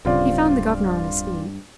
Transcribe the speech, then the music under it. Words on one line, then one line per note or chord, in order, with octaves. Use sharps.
He found the governor on his feet.
D1 G2 C#3 C4 F4 D5